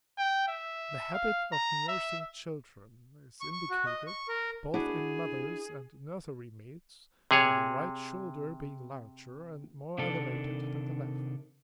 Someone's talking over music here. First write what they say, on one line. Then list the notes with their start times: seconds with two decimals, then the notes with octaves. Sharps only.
The habit of nursing children is indicated, both in mothers and nursery-maids, by the right shoulder being larger and more elevated than the left.
0.18 G5
0.48 E5
1.13 F5
1.53 A#5
1.88 E5
3.41 C#6
3.52 C#6
3.70 F#4
3.86 D#5
4.07 C#6
4.29 A#4
4.74 D4 E4 F#4 G#4
7.31 C3 G#4 C#5
9.98 C3 D#3 D4 A4